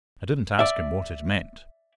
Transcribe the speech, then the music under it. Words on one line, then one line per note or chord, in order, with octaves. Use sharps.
I didn't ask him what it meant.
D5 E5